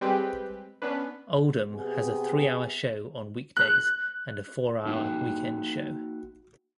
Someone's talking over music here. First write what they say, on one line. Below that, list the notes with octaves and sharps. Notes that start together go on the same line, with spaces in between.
Oldham has a three-hour show on weekdays and a four-hour weekend show.
G3 G#3 C4 G4 B4 G5
B3 C#4 D4 B4
C3 B3 G#4
F#6
A#3 D#4 E4 F#4 G5